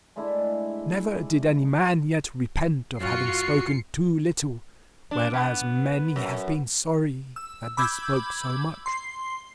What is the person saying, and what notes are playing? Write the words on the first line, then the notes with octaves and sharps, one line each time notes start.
Never did any man yet repent of having spoken too little, whereas many have been sorry that they spoke so much.
G#3 A3 D4 E4
F#2 F4 F#4 C7 C#7
D4
B3
F#2
E6
B5 D6 E6 G6 G#6
C6 C7